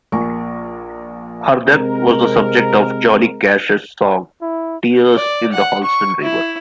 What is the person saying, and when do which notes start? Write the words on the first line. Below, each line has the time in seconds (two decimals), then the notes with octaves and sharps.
Her death was the subject of Johnny Cash's song "Tears in the Holston River".
0.12 A#1 A#3 A#4 G#5 C#6
1.65 C3 G#3 C4 A#4
4.41 E4
5.15 D5
5.52 F#5
5.84 C#6
6.22 E4